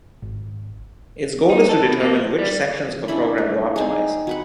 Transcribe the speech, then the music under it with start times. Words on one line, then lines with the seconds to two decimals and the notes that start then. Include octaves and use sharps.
Its goal is to determine which sections of a program to optimize.
0.22 G#1
1.50 D#4
1.69 A4
1.83 B2
2.00 A#3
2.13 F3
2.39 G3
3.08 C#4 D4 E4 B5
3.38 A3
3.76 C4 D#4 G#4
4.27 F#3 B4 F#5